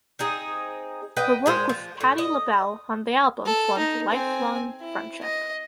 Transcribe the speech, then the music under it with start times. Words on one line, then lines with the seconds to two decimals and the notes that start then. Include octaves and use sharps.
Her work with Patti LaBelle on the album formed a lifelong friendship.
0.19 C4 D#4 G#4
1.17 B4 D#5 G5
1.46 A#2 G#3 C5
1.69 F3
2.01 A2
2.18 D#5
3.46 A4
3.78 D#4
4.12 C4 G#5
4.82 E4
5.22 D#5